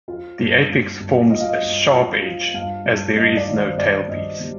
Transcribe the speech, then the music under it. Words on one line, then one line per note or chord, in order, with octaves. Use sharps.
The apex forms a sharp edge, as there is no tailpiece.
F3 F4
G2
G2
G2
F3 D#5
F5
D#5
G2
F3
F3
G2 F5
G2
G2 D#5
D5
D#3
C5
G2 D5
G2 D#5
G3